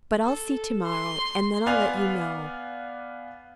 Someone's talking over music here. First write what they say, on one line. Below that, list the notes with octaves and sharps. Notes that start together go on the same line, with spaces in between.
But I'll see to-morrow, and then I'll let you know.
A4
C6
B3 D5 F5 G#5 F7